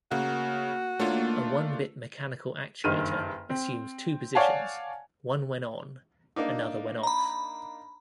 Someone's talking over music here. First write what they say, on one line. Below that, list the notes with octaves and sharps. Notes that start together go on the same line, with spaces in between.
A one-bit mechanical actuator assumes two positions: one when on, another when off.
C#3 A#3 F#4
D#2 A3 A#3 D4 F4 C#5
F#1 G2 D#3 F6 D#7
C4
C#5 D5 F5 F#5 G#5 A5
A#3 D4 D#4
A#5 B5